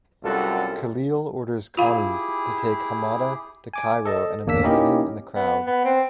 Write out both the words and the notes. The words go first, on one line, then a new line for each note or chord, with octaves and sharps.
Khalil orders Khamis to take Hamada to Cairo and abandon him in the crowd.
C2 F#2 G3 F4 F#4 A4
E4 F4 G4 G#4 F5
G#5 D6
A4 D#5 A5
G1 E2 A#3 D4 E6 B6
A#3 C#4 D#4 E4 G4 D#5
B3
B3
C4